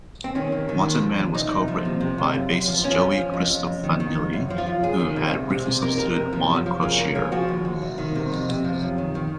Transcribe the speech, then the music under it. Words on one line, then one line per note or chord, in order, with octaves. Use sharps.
"Wanted Man" was co-written by bassist Joey Cristofanilli, who had briefly substituted Juan Croucier.
C4
D#3 C#4
D#2
D#3
D#2
F3
D#2
C2 D#4
C2
F3
C3
C3
C#2
F#2
F#2
F3
F3 C#4
F2
F3
F2
F2
F2
D#3
D#3
F2
F#2
F3
F4
F#2
C#2 G#4
D#3
C3
C2
C3
C3
F2 A#4
F2 A#4
C3
F3
F#2
F3
C#3 A#4
C#2 A#4
F3 G#4
F3 F#4
D#2
D#2
C2
D#3
C3
F2
C3
F3
F#2
D#3
D#3